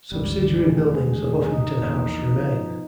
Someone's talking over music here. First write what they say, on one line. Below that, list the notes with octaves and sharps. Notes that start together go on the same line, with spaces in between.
Subsidiary buildings of Uffington House remain.
G1 C#2 G3
E1 D2 D#3 G#4
D#4
A#1 E2 A#2
B2 F3